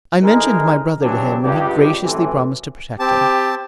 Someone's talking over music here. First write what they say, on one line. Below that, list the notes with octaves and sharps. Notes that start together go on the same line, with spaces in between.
I mentioned my brother to him, and he graciously promised to protect him.
C2 D3 G#3 D#4 A#4
C#3 E3 F#3 C4 D4 G4
C#2 G2 G4
F#2 A2 C3 E3
C4 G4 A5